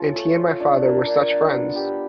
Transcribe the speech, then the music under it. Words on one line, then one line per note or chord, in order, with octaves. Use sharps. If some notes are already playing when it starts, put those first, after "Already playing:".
And he and my father were such friends!
Already playing: C#4 F4 A4
A3
F4
D4
A#4
D4
D4
B3
G4